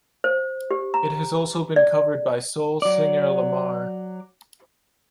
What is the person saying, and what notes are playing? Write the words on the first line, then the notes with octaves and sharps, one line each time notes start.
It has also been covered by soul singer Lemar.
C5
G4
A#5
D5
F#3 D5